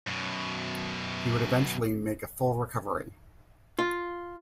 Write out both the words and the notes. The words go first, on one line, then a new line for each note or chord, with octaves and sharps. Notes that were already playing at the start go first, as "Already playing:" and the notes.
He would eventually make a full recovery.
F#2 B2
F4